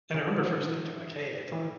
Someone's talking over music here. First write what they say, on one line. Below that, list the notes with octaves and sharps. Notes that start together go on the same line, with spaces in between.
and I remember first thinking like, "Hey, it's a"
C#3
D3
F#3
E3
D3
E3
E3